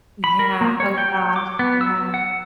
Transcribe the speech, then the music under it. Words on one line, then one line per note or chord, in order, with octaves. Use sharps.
Yeah, oh, gosh, yeah.
B5
A#4
A#3
C#5
G5
D6
B3
E6
F#5